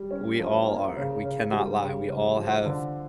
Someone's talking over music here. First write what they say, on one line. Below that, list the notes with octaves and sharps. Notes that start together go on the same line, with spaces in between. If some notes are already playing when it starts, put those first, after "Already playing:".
We all are, we cannot lie, we all have
Already playing: G3
C#4
F3
A#3
C#3
C#3
G3
C#3
C#3
F3
D3